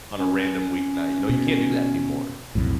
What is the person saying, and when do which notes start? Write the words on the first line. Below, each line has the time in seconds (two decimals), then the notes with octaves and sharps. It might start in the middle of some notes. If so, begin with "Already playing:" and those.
on a random weeknight, you know, you can't do that anymore.
0.19 C#4
1.29 B2
2.55 B1 F2 A2